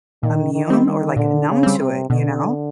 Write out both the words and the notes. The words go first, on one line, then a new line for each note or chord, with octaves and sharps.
immune or like numb to it, you know.
A#2 D#3
D#3
G3 C4
D#3
A#2 D3
C#3
G3 C4
C3
B2 D3